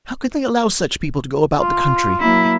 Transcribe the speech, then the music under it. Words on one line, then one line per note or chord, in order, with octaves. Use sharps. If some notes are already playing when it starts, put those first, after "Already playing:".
How can they allow such people to go about the country!
F4
F#3 A#3 E4